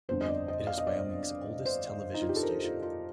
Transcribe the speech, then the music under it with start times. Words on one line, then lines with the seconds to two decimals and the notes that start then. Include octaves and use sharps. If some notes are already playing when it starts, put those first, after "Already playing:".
It is Wyoming's oldest television station.
0.09 G1 F2 D3 C5
0.21 D#5
0.29 D5
0.48 D#5
0.67 F5
0.78 D#5
0.87 D5
1.65 C5
2.14 D#4
2.21 F4
2.29 G4
2.36 A4
2.43 A#4
2.63 F4
2.82 F4